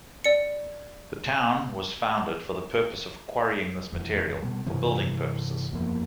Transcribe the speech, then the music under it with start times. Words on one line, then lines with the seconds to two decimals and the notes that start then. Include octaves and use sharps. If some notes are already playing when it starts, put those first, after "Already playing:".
The town was founded for the purpose of quarrying this material, for building purposes.
0.24 D5 C#7
3.93 F1 E2
4.42 B2 G3
4.66 G2 C3 E3 C4
5.71 F#1 E2 F3 A#3